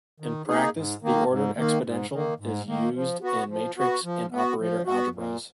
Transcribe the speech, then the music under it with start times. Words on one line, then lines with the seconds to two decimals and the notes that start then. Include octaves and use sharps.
In practice the ordered exponential is used in matrix and operator algebras.
0.20 D#3
0.48 A#3 D#4 G#4
0.74 G#2
1.02 D#3 A#3
1.29 G#2
1.57 D#3 A#3
1.84 G#2
2.12 D#3 A#3
2.40 G#2
2.67 D#3 A#3
2.95 F3
3.22 B3 F#4
3.49 F3
3.77 B3 F#4
4.04 F3
4.32 B3 F#4
4.60 F3
4.87 F#4
4.92 B3
5.15 A#2